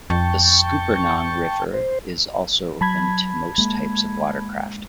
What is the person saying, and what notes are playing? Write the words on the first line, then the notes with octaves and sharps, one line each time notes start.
The Scuppernong River is also open to most types of watercraft.
F2 G5 A5 C#6
C5
F#3 A5 B5 G#6
G#3 A#3